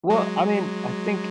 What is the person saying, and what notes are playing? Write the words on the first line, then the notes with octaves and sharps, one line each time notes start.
Well, I mean, I think
F#3 G#3